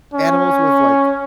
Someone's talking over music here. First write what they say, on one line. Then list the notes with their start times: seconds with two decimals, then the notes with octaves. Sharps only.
animals with, like
0.14 C#4